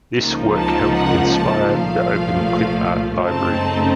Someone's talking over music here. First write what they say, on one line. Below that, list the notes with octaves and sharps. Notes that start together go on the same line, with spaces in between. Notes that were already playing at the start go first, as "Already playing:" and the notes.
This work helped inspire the Open Clip Art Library.
C#2 C#3 F3 A#3 D#4
A5
F#5
A5
C2 A#2 F3 A3 F5
F#2 C#3 A3 C4 D#4 A5